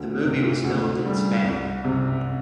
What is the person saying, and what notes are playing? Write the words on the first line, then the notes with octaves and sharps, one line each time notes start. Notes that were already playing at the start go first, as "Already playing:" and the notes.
The movie was filmed in Spain.
Already playing: D2
C3
D2
G3
C2
C3